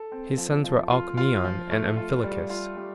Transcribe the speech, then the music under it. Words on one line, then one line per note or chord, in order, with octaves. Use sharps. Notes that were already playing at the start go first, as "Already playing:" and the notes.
His sons were Alcmaeon and Amphilochus.
Already playing: A4
C4
F3
F3
F4
F4
F3
A3
F4
G3
F4
G3